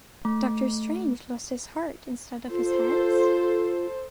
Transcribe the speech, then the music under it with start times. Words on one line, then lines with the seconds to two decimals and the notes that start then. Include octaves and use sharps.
Doctor Strange Lost His Heart Instead of His Hands?
0.25 A3
2.50 F4 A4 C5